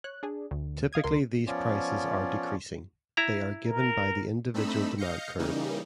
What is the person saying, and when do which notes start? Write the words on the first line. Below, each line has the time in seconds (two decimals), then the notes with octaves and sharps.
Typically these prices are decreasing; they are given by the individual demand curve.
0.04 C#5 F#6
0.23 D4 G#4
0.51 D2
0.93 D#5 F5 D#6 G#6
1.04 C#2 A#4 C6
1.47 F3 B3 C#4 F4 C#5 D5
3.17 E4 A#5
3.66 A#4
4.54 A3 C4 D4 D#4 B5 E6
4.98 D#5 F5 G6 A#6 C#7
5.39 C#3 E3 G3 A#3 C#4 D#4